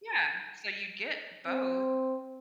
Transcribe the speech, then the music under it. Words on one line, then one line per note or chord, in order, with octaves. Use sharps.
Yeah, so, you'd get both
C4